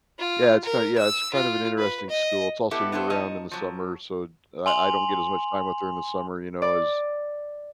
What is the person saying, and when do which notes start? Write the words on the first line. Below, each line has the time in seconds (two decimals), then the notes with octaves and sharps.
Yeah, it's kinda yeah, it's kind of an interesting school, it's also year-round in the summer, so I I don't get as much time with her in the summer, you know, as
0.18 F4
0.65 A#4
0.98 E6
1.34 F4
1.78 B4
2.10 D#5
2.71 B3 E4 G4 A4 B4
2.92 B3 E4 A4 C5
3.10 F3 D#4 C#5 D#5 A5
3.51 F3 F#3
4.66 G#5 C6 F7 F#7
6.62 D5